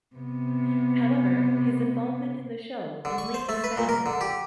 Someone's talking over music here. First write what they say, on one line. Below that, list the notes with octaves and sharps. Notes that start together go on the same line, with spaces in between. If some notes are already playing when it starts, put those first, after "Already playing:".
However, his involvement in the show only expanded.
C3 B3
D3
C#6
C5
A3
B4
A#2
A#4
D3
G4